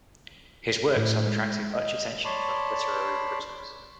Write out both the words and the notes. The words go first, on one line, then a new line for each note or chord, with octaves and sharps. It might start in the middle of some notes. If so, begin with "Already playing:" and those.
His works have attracted much attention from literary critics.
A2
G#3
D#5
C#5 D5 A5 B5 C6